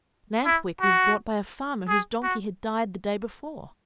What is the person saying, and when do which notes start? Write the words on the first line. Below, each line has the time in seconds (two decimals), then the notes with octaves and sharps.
Lamp-Wick was bought by a farmer whose donkey had died the day before.
0.46 E4
0.81 F#4
1.88 G#4
2.23 F#4